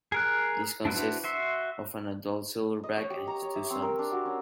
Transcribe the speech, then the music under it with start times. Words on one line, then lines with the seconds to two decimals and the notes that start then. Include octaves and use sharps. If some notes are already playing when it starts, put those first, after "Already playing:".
These consist of an adult silverback and his two sons.
0.12 G#4 A#4 F#6
0.85 D4 E4 F#4 B4 C5
1.24 F#4 E5 C6
2.83 D#5
2.97 C#5
3.10 G4
3.27 A#5
3.42 C#5
3.55 E5
3.70 C4
3.82 A#4
3.99 D4
4.12 F#4
4.25 C#4